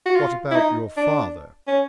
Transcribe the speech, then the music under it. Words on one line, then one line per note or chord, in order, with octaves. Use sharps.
"What about your father?"
F#4
F4
E4
D#4
D4
C#4